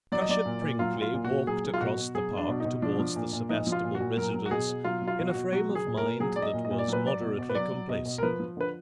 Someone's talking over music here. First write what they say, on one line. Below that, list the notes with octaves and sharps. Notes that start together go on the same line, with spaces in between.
Cushat-Prinkly walked across the Park towards the Sebastable residence in a frame of mind that was moderately complacent.
F#3 D5
D#5
F#3 D5
A#2
A#2
F#3 F4
F#3
F4
A#2
F#4
A#2
F#3 G#4
F#3
F4
B2 F#4
B2
F#3 G#4
F#3
D4
B2
D#4
B2
F3 D4
F3
A#2
A#2
F3 D#4
F3
F4
A#2
F#4
A#2
F#3 A#4
F#3
F#4
B2 G#4
B2
F#3 F4
F#3
F4
B2
F#4
B2
F#3 F#4
F#3
G#4
A#2
A#4
A#2
F#3 G#4
F#3 D5
D#5
A#2
D#5
A#2
D5
F#3
B4
F#3 D5
B2
B2
B4
F#3 D5
F#3
B2 D#5
B2
A#4
F3 B4
F3
D3 B4